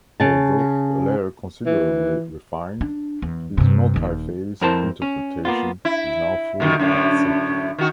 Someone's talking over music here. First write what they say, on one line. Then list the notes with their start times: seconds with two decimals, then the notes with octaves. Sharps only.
Although later considerably refined, his multi-phase interpretation is now fully accepted.
0.20 C#3 A5
1.66 E3
2.81 D4
3.22 E2
3.58 G2 C3
3.94 D#1 D#2
4.61 F2 E4 A#4 C5 A5
5.02 C#4
5.45 A#3 B3 F4
5.85 E4
6.60 A#2 D3 D#3
6.79 F#2 A2 D3
7.78 D#3 F#4